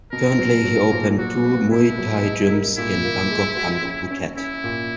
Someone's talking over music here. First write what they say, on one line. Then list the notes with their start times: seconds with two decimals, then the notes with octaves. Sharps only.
Currently, he opened two Muay Thai gyms in Bangkok and Phuket.
0.12 B2 A#4
0.39 F#3
0.65 F#3
0.92 A#2
1.18 F#3 F#4
1.45 B4
1.71 B2 E4
1.98 F#3
2.25 D#4
2.52 A#4
2.77 A#2 E4
3.05 A#3
3.30 G#3
3.57 F#4
3.84 C#4
4.11 C#4
4.37 C#4 E4
4.64 A#2